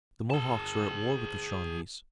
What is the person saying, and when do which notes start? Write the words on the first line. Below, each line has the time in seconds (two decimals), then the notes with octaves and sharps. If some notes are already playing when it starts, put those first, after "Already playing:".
The Mohawks are at war with the Shawnees.
0.30 G#4 A5